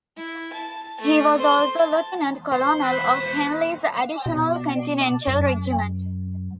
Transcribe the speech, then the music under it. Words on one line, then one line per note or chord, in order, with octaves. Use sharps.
He was also Lieutenant-Colonel of Henley's Additional Continental Regiment.
E4
A5
A3
C5
A5
C5
B4
B2
F#2